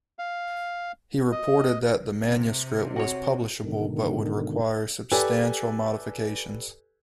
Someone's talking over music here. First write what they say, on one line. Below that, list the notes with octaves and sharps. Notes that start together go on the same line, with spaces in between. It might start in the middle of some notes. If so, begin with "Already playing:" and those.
He reported that the manuscript was publishable, but would require substantial modifications.
F5
D#5
C3
F#4 C#5
G#2 B2 D3 D#3
G4 A4 B4 D5 G#5